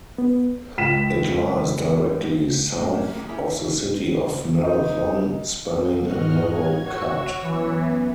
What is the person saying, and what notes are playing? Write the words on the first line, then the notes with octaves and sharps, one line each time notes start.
It lies directly south of the City of Marathon, spanning a narrow cut.
B3
C#2 B6 E7
E2 A2 D4 D#5
A2 C3 A#3 C#4
D#3 A#3 F#4 G#4
C#4 E4 G4 G#4 C#5 D5
D#4
G#2 F#4 D#5 F6
G#6
F#4 C#5 E6
F#2 E3 B3